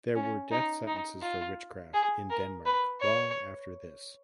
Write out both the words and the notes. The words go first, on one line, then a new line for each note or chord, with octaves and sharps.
There were death sentences for witchcraft in Denmark long after this.
C#4
D#4
D#4
F4
G#4
A#4
B4
C#5